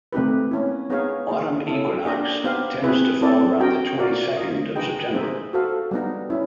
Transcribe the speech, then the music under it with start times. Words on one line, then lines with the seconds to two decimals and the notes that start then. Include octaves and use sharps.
Autumn equinox tends to fall around the twenty-second of September.
0.13 A3 C4 D#4 G4 B4
0.51 A#3 C#4 E4
0.90 B3 D#4 G#4 C#5 F5
1.28 A#3 D#4 G#4
1.67 C#4 E4 A4
2.05 A#3 D4 G4 A#4 D#5
2.44 B3 D#4 G4 C5 F5
2.82 C4 E4 G#4 B4
3.22 C4 E4 A4 D5
3.60 F#4 A#4 D#5 G5
3.99 F#4 A#4 D5 F5
4.37 F4 A#4 D#5
4.76 D#4 G#4 B4 D#5 G5
5.14 D#4 G#4 C5 E5
5.53 F#4 A4 C5 F5
5.91 G3 B3 D#4
6.30 C#4 E4